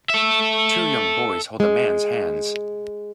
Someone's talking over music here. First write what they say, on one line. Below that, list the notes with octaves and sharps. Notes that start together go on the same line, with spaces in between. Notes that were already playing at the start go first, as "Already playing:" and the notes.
Two young boys hold a man 's hands.
A4 E5
G#3